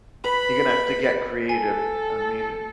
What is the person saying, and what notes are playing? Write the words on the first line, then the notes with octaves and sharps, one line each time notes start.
You're gonna have to get creative, I mean,
B4 B5
A4 G#5